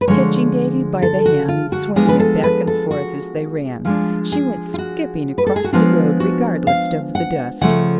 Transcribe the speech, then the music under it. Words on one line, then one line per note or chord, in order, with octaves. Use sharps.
Catching Davy by the hand, and swinging it back and forth as they ran, she went skipping across the road regardless of the dust.
B4
D3 F3 G#3 D4 C#5
A4
F#4
F4
F#4
F3 G#3 B3 D4 G#4
B4
A4
B4
A4
F#4
F3 G#3 D4 F4
G#4
F4
F#4
B4
A4
G#4
F#4
F3 G#3 B3 D4 F4
F#4
F5
F#5
C#3 F3 A3 F#5